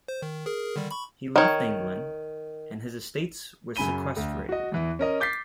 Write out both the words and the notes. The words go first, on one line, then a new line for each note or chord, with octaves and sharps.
He left England, and his estates were sequestrated.
C5
D#3
G#4 A#4
D3 D#3 G3
B5 C#6
D#3 C#5
F#2 C#3 G#5 B5 D#7 G7
D2
F#4 D#5
E2 E3
C#4 A#4 D#5
D6 G6 A6 B6 C7